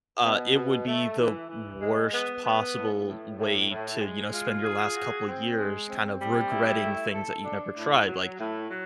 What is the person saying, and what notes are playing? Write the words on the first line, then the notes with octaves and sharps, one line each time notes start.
uh, it would be the worst possible way to, you know, spend your last couple years kind of regretting things that you never tried, like,
B2
B2
A3
E3
E3
G#3
B3
B3
A2
A2
A2
A2
G#3
F4
G#4
F#4
C4
G#3
C4
G3
E4
A3
A4
D4
A2
F#3
A2
F#3